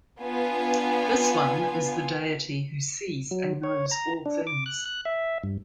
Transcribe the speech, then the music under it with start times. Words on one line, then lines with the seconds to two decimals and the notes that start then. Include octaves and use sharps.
This one is the Deity who sees and knows all things.
0.22 B3 D4 F4 G#5
3.31 F#3
3.64 C#5
3.91 A#5
4.26 D4
4.47 D6
4.66 F#6
4.85 F#6
5.05 E5
5.44 G2